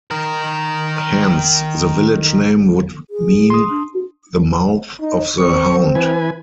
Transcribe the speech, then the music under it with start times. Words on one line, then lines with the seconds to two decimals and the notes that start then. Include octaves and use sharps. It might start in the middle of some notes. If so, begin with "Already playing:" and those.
Hence the village name would mean "The Mouth of the Hound".
0.11 D#3 A#4
3.10 G#4
3.50 C6 D#6
3.70 D4
5.00 D#4
5.38 C4 C#6
5.95 E3 B4 G#5